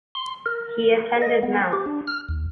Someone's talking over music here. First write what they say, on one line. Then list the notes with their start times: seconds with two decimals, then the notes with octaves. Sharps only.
He attended Mt.
0.15 C6
0.46 A#4
1.22 D#5
1.43 B3
1.73 G4
1.86 D4
2.07 F6
2.29 D#2